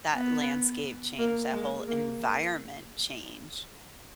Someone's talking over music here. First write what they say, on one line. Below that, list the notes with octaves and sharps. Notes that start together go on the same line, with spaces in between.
that landscape change, that whole environment change,
B3
A#3
G#3
A#3